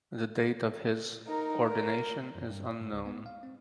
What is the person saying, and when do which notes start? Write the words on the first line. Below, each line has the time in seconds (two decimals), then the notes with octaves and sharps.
The date of his ordination is unknown.
1.27 D#4 A#4
1.64 A#4
2.35 F#2
2.50 G2
2.66 D5
2.81 G#2
2.93 C#2
3.06 B3
3.26 F5
3.43 C4